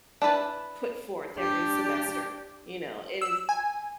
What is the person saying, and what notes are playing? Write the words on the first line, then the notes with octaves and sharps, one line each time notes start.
put forth every semester, you know? And it's
D4 E4 B4 A5
D4 G4
E6
G#5